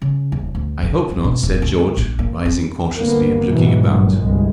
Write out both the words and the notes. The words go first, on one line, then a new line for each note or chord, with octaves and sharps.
"I hope not," said George, rising cautiously and looking about.
C#3
D#1
D2
F3
D#2
B2
D#1
D2
A#1
A#3
C4
G1 D3 A#3 B3
F2 G#2 B2 E3 F#3
G1 A#2 F#3
G1 C2 G#3